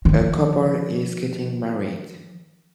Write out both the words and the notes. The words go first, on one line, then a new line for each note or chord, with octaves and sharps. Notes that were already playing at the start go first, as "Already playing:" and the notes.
A couple is getting married.
D#3 F3